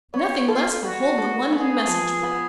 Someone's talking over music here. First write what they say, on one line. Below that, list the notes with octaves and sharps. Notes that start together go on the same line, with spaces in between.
Nothing less will hold the London message-boy.
B3 C#5
F4 A4
B3 F#4
A4
B3 G#4
F3
B3